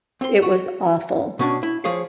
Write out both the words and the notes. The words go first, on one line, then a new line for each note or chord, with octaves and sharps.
It was awful.
C4 C6
F#4
B2 C#4 D4
E4
F3 G#4 C#5 F5